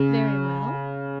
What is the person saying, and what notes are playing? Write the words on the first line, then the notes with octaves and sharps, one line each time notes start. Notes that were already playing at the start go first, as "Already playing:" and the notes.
'Very well.
Already playing: C#3